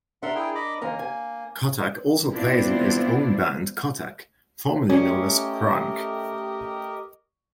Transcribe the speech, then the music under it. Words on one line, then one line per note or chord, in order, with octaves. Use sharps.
Kottak also plays in his own band Kottak, formerly known as KrunK.
D4 A#4 E5 F#5 C6
E4 G#4 G5
D#5 B5 D6
D#2 A#3 A#4 G#5
G#5
B3 C4 D4 E4 F4
A3 C#4 G4 A#4 D#5